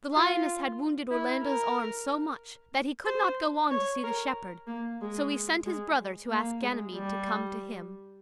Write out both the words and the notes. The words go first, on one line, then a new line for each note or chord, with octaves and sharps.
The lioness had wounded Orlando's arm so much, that he could not go on to see the shepherd, so he sent his brother to ask Ganymede to come to him.
F4
E4
A#4
C5
C#5
A#4
A#3
G#3
G#3
A#3
G#3
G3